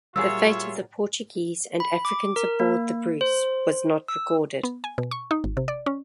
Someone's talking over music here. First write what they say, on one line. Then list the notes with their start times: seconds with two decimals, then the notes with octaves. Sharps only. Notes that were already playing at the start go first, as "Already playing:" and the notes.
The fate of the Portuguese and Africans aboard the "Bruce" was not recorded.
0.16 A#2 F#3 G3 F4 G#4 C#5 E5 E6
1.80 B5
2.05 D6
2.36 A#4
2.60 A#3
3.21 C5
4.08 E6
4.63 B3
4.84 G#5
4.98 B2
5.11 C#6
5.31 D#4
5.44 G#1
5.57 C3
5.68 D5
5.86 C#4